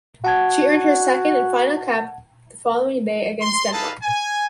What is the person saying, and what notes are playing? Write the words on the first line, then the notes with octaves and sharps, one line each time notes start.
She earned her second and final cap the following day against Denmark.
F#4 F#5 A5 G#6
C6
D#4 G#4 A4 B4 F5 A5
G#5